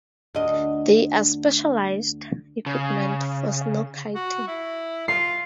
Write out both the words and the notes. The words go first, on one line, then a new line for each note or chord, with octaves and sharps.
There are specialized equipment for snowkiting.
D2 D#5
C#3
F#4
E4
F4 C7